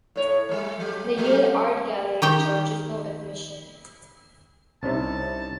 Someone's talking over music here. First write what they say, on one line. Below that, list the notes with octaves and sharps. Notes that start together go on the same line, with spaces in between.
The Yale Art Gallery charges no admission.
A2 C#5
G3 A3
F#3 G4
F#3 A3
D#3 G4 G5
C2 C3 C#4 D#4 E4 A5